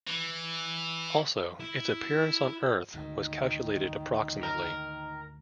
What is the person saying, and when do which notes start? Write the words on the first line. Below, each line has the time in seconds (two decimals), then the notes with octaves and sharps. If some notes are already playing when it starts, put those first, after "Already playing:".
Also, its appearance on Earth was calculated approximately.
0.08 E3
1.60 E4
2.94 D2 G#2 D#3
4.43 A#4